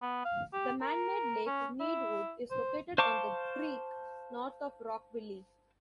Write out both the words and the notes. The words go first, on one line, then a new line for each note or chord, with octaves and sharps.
The man-made Lake Needwood is located on the creek, north of Rockville.
B3
F5
G4
A#4
C#4
E4
C5
C5 F5 A5 C#6 D6